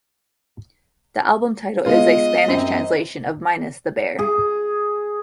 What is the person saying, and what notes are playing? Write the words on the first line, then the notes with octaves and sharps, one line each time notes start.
The album title is a Spanish translation of Minus the Bear.
G#3 B3 F4 D#5
F#2 C4
G#4